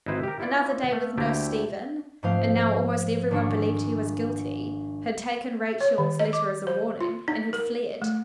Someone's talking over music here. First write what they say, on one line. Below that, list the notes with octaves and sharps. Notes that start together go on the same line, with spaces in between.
Another day with no Stephen, and now almost every one believed he was guilty, had taken Rachel's letter as a warning and had fled.
G#1 D#4 E4 B4 C5
G4 A#4
E4 F4 B4 D5
A3 F5
D2 A3 E4 G4 D5 G5
G#2 F3 A3 C4 C5 F5
G#1 D4 C#6
C#5
D#3
D#5
D6
C5
F4
D#4
A#4
A3